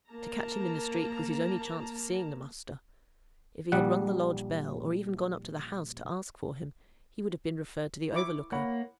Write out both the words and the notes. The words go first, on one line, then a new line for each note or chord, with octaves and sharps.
To catch him in the street was his only chance of seeing 'the measter;' if he had rung the lodge bell, or even gone up to the house to ask for him, he would have been referred to the overlooker.
A#3 A5 A#5
A#1 G3 F#5
E4 C#6 D6
A#3 C#5 F#5 B5